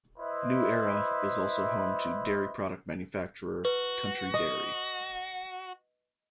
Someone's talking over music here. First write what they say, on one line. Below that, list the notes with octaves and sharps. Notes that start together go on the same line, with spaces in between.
New Era is also home to dairy product manufacturer, Country Dairy.
E4 B4 C5 D#5 E5
F#4 B4
D#5